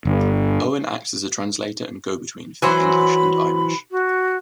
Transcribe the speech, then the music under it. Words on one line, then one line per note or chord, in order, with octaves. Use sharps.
Owen acts as a translator and go-between for the English and Irish.
G1
E3 F#3 C5 B5
F#4